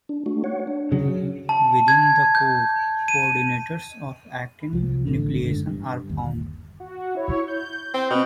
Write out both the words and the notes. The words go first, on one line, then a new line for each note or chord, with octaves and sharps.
Within the core, coordinators of actin nucleation are found.
D4
A3 D4 F#4
C#5 F#5
D4
C#3 F#3
A5
G#6
G6
D#7
C2 F3
A1 D3
F#1 G#2 D3
G2
G1 D#2
F#4
E4 C#5
G6
C4
B2 C4 B4 G6